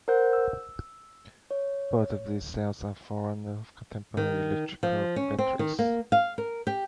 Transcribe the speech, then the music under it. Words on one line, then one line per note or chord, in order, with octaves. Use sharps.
Both of these cells are forerunners of contemporary electrical batteries.
A#4 C5 F#5 G6
E6
C#5
D#3
F3
C#4
C4
D#3
A#3
F5
A#4
G4